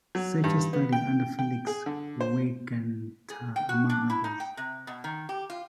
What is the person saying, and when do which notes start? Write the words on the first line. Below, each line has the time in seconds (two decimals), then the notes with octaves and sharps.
Sacher studied under Felix Weingartner, among others.
0.15 F#3
0.44 G2
0.73 B3
0.93 G5
1.39 G5
1.67 G#4
1.86 D3
2.21 C5
3.30 G#4
3.56 G5
3.69 F#4
3.90 D4
4.10 E4
4.24 D#4
4.40 G5
4.57 C3
4.87 B2
5.04 D#3
5.29 G4
5.50 F4